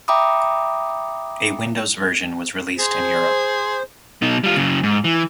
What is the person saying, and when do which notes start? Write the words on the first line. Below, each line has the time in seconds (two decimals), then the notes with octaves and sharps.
A Windows version was released in Europe.
0.08 E5 G5 A#5 B5 D6 D#6
2.79 G#4 C5
4.22 B2 D#4
4.44 G3 F4
4.56 F#2 C#3
4.83 G#2
5.04 E3